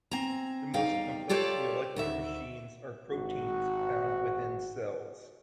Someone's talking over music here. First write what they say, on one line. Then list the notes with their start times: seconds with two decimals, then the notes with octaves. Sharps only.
The most complex molecular machines are proteins found within cells.
0.11 C4 G#5 A#5
0.74 E2 G3 D#4 F5 G5
1.29 F4 G4 A4 C#5 D5
1.96 D2 D#3 E5
3.09 G#1 F#4